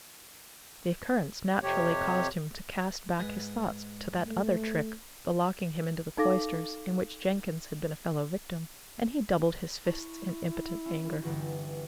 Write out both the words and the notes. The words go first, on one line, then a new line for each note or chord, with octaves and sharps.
The occurrence naturally caused him to cast back his thoughts to that other trick-the locking him into the cloisters, in which Jenkins had been a fellow-victim--and he doubled his fists in impotent anger.
F2 C3 G4 C#5
G#2 G#4 B4
A3
D#4 A4 F5 D6 A#6
E4 A5 C#6
C#4
G1 E3 F#4